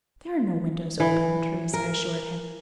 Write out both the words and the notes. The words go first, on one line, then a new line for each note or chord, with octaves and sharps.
"There are no windows open," Theresa assured him.
E3
A#4